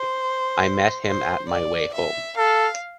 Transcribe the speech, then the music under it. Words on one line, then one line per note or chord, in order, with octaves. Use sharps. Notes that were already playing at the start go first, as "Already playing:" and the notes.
I met him at my way home.
Already playing: C5
C5
D5
E5
A4 F5